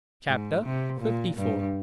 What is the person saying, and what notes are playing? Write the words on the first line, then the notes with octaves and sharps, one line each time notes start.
Chapter LIV.
G#2
C3
A#2
G2